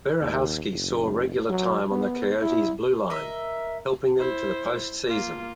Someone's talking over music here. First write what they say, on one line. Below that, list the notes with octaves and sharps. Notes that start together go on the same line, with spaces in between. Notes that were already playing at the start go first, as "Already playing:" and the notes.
Berehowsky saw regular time on the Coyotes blueline, helping them to the post-season.
D#2
F#1
F#3
B3
E4
A#4 D#5 E5
E4 C5
A#3 F4